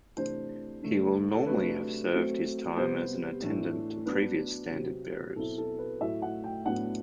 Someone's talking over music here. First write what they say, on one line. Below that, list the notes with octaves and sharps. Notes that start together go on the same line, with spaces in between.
He will normally have served his time as an Attendant to previous Standard Bearers.
C3 E3 A3 D4 C5
D3 A3 D4
A4
C3 F#3 A3 D4 B4
F#3 A3 C4
C3 G3 B3 C5
A2 E3 A3 D4
F#3 B3 D4 B4
C3 F#3 C4
B2 F#3 C4 E4 A4
A4
B4
A2 F#3 A3 E4 E5
F#5
G5
A2 F#3 B3 D4 F#5